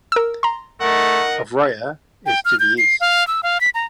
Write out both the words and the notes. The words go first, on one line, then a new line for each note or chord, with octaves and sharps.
Ovrya is to the east.
A#4 E6
A#5 C6
A3 D#4 A#4 F#5
G5
F6
G6
C7
F5
E6
F5
B6
A#5